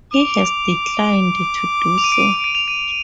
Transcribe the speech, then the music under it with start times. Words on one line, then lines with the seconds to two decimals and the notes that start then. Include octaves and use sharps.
He has declined to do so.
0.14 D6 F7
1.98 F7
2.04 D#7
2.12 D7
2.19 D#7
2.44 D#7
2.55 F7
2.68 D#7